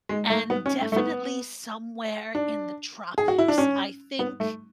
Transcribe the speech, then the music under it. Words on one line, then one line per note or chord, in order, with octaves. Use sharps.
and definitely somewhere in the tropics; I think
G#3
A3
B3
C#4
A3
A3
B3
D4
G#4
F#4
E4
D4
C#4
B3
A3